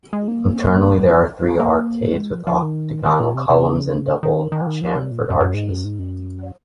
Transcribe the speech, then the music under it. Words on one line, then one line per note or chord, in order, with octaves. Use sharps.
Internally there are three arcades with octagonal columns and double-chamfered arches.
G#3
A#3
A#3
F#3
G#3
F3
F3
D#3
D#3
A#2
C3
C3
C#3
D#3
D#3
F3
D#3
F3
C3
A#2
F#2
F#2
G#2
F#2
G#2
F#2